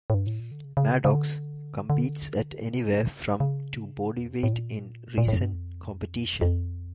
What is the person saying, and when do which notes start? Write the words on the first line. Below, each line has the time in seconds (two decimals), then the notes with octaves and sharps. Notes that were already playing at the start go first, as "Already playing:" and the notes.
Maddox competes at anywhere from to bodyweight in recent competition.
0.10 A2
0.14 G2
0.27 A2
0.40 A#2
0.51 D3
0.64 C#3
0.77 C#3
1.05 C#3
1.14 D3
1.90 D3
2.65 C#3
3.40 C#3
4.16 E2
4.25 F2
4.43 A2
4.53 A#2
5.18 A#2
5.28 A2
5.36 F2
5.41 G2
5.53 F2
6.41 F2